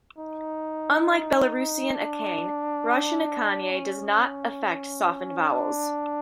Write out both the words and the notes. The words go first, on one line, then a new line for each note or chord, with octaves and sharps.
Unlike Belarusian akanne, Russian akanye does not affect softened vowels.
D#4
D4
C#4
D4